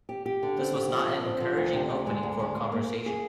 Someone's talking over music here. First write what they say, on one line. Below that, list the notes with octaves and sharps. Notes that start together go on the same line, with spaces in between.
This was not an encouraging opening for a conversation.
G4
G4
D3
C4
G4
F3
D3
C4
F3
D2
C3
D2
G#3
D2
G#3
G#4
A#3
A#3
G#4